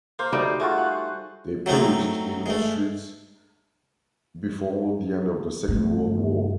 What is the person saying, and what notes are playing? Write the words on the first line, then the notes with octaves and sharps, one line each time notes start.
They perished in Auschwitz before the end of the Second World War.
A#3 C5
D2 G3 D#4
A3 F4 F#4 G#4
F#5
F#3 A3 C4 D#4
G#3 A3
G2 A3